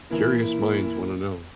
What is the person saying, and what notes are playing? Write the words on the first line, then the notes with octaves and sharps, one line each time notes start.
curious minds want to know.
A#2 E3 A#3 E4